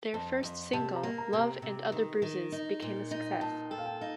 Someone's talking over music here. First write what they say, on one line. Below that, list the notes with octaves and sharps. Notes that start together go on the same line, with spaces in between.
Their first single, "Love and Other Bruises", became a success.
F2 A5
F2
C3 A5
A#5
A#3
A#5
C3
A#5
C3
D#3
D#3
D#4
A#2
D#4
G5
A#2 A5
A4 G5
F5
G5
D#4 F5